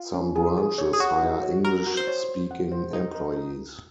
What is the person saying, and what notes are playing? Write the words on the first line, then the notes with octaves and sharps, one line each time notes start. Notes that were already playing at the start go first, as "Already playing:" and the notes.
Some branches hire English-speaking employees.
Already playing: F4
C#4
G#4
G#4
C#5
G#4
F#4 C#5
D#4
C#5
F#4 A#4
F#4
C5
C#5
C5
F#5
C5
D#4 A#4
A#4